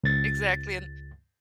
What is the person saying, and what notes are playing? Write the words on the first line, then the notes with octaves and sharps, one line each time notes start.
Exactly, and
C#2 A6